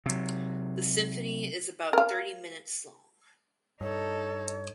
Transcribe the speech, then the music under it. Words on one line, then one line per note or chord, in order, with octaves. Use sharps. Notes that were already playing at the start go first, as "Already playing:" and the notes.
The symphony is about thirty minutes long.
C3 F#3
A#4 F5
G2 D#4 A4 C#5